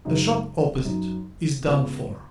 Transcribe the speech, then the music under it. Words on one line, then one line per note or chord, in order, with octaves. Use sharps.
The shop opposite is done for.
F#2 C#3 G#3 D#4
F#2 F#3 D#4
C#2 C#3 B3